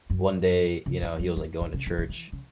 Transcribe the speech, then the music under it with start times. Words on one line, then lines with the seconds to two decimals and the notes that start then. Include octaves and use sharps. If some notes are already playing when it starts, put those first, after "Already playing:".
one day, you know, he was, like, going to church
0.10 F#2
0.86 C#3
1.02 D#3
1.19 F#3
1.37 E3
1.61 D#3
1.74 C#3
1.86 E3
1.98 D#3
2.09 E3
2.33 C#3